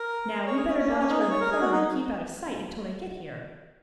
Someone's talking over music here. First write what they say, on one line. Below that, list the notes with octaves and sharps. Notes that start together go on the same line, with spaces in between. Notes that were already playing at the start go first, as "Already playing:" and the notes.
Now we'd better dodge around the corner and keep out of sight until they get here.
Already playing: A#4
C#5
G#4
C#4
C#4
A#3
C#4
D#4
G#4
C#5
A#4
G#4
F#4
D#4